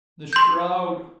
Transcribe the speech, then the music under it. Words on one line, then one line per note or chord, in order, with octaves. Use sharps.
The shroud!
C6 G6